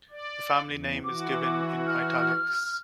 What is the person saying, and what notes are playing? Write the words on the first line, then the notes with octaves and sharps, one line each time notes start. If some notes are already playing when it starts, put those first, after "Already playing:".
The family name is given in italics.
D5
E2
E3 F#4 D6
F6